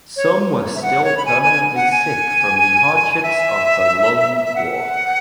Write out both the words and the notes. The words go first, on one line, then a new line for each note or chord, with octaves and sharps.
Some were still permanently sick from the hardships of the Long Walk.
C#5
E5
F#5
C#5
B5
G#5
G#5
F#5
G#5
E5
E5
F#5